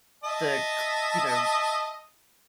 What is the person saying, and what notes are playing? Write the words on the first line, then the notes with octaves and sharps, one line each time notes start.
the c you know,
D#5 E5 A5